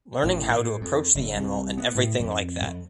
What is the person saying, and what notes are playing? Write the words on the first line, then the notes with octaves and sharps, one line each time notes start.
Learning how to approach the animal and everything like that.
A1
A2
F2
F#1
C2
B3
A2
F2
F2